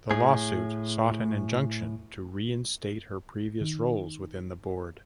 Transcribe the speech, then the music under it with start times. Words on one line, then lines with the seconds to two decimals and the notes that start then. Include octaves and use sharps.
The lawsuit sought an injunction to reinstate her previous roles within the Board.
0.11 A2 G#4
3.61 D#3